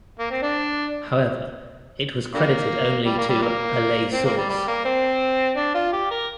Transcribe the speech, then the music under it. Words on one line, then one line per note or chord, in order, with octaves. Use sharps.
However, it was credited only to a "lay source".
A#3
C4
D4
D3 G3 A#3
G3
A#3
G3
A#3
C4
A#3
G3
G3
A#3
C4
D4
F4
G4
A#4